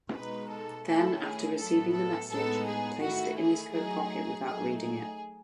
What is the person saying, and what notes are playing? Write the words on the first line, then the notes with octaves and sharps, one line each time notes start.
Then after receiving the message, placed it in his coat pocket without reading it.
B2 G#3 D#4 B4
A4
D#3 A3 C#4 E4 A4
G#4
A2 F#3 B3 E4 A4
A4
A2 G#3 B3 D#4 A4
G#4
D#3 A3 E4 F#4
G#4
F#3 A3 D#4 G#4
F#3 A3 D#4 G#4
G#4